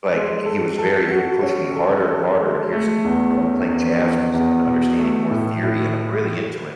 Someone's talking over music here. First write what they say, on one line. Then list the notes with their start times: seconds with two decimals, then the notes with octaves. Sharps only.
like he he was very he would push me harder and harder, here's some you know, we're playing jazz music and understanding more theory, and I'm really into it,
0.14 G#3
0.46 A4
0.78 A4
1.11 F#4
1.43 C#4
1.75 A4
2.08 A4
2.40 G#3
2.72 A3
3.04 E2
3.37 C#4
3.69 E2
4.02 E2
4.34 E2
4.67 B2
4.99 A3
5.31 A2
5.63 A2